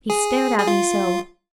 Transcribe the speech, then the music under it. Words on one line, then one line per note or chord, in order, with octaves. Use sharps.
He stared at me so.
G#4
G#4
F4